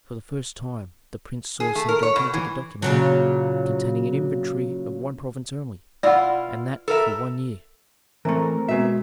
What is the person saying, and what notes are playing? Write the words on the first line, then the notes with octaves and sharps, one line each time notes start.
For the first time the prince saw so gigantic a document, containing an inventory of one province only and that for one year.
G#4
A3
A#4
C#5
B2
E3
A#2 C#3 F#3
B2 E4 F4 D5 F#5
A4 A#4 E5
E3 A3 C4 A#4
B2 G#3 E5